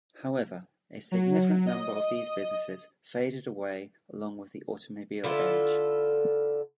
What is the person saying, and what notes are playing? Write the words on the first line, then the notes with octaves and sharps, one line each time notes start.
However, a significant number of these businesses faded away along with the automobile age.
F#3
D#5
D3 E4 F4 A4